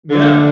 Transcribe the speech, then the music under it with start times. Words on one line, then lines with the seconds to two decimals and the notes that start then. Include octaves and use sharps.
M yeah.
0.11 D3